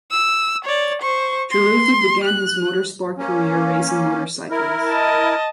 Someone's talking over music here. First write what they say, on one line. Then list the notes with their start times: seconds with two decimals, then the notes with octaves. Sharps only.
Taruffi began his motorsport career racing motorcycles.
0.11 E6
0.64 C#5 D5
1.02 C5 C#6
1.51 C6
2.24 F#6
3.18 A#3 C#4
4.50 E4 A#4
4.89 D#5 A5